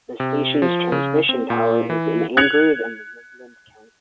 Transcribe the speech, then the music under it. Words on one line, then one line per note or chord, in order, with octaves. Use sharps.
The station's transmission tower is in Andrews and Midland County.
C3
F3
C#3
C4
A#2
E3
F#6 G#6 C#7 F7